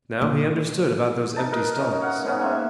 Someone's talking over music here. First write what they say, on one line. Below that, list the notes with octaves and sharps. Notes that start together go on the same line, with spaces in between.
Now he understood about those empty stalls.
A#2
D#4 A5
A#4 B4 D#5
C#4 D#4
C#5 F5 F#5
G#2 C#3 B3 C#4
A#3 C4 E5